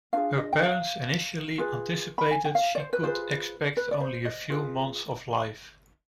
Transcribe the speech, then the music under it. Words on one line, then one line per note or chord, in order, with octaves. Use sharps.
Her parents initially anticipated she could expect only a few months of life.
D4 F4 G#4 F5
D#5
G5
F5
F4 G#4 B4
B5
G#5
G5
F5
D5
C5
B4
F4 G#4 B4 C5
B4
D5
C5
D#5
F4 G#4 B4